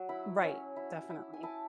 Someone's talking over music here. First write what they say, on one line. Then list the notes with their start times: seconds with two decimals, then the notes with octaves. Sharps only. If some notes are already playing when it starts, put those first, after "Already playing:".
Right. Definitely.
Already playing: F#3
0.09 E4 B5
0.43 C#4
0.76 E4
1.10 E4
1.33 G#5
1.43 E4 A5